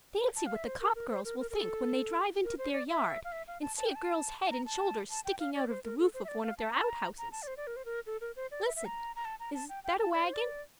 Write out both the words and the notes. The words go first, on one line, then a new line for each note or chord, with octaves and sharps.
Fancy what the Copp girls will think when they drive into their yard and see a girl's head and shoulders sticking out of the roof of one of their outhouses. Listen . . . is that a wagon?
A5
F5
E5
C5
A#4
A#4
C5
A#4
A#4
A#4
A4
A#4
C5
D5
E5
F5
E5
F5
A5
A5
G5
A5
A5
A#5
A5
A5
G5
F5
D5
C5
A#4
A4
C5
E5
D5
F5
A5
A#5
A5
A#5
A#5
A5
D5
C5
D5
A#4
C5
A#4
A4
A#4
C5
D5
E5
E5
A#5
A#5
A5
A#5
A5
G5
G5
A5
D5
C5
D5